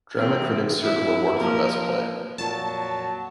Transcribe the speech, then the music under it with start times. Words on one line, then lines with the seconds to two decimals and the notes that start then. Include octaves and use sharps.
Drama Critics Circle Award for Best Play.
0.15 E3 B3 C4
0.83 E4
1.37 F3 A#3 A#4
2.38 F2 A#2 F#3 A5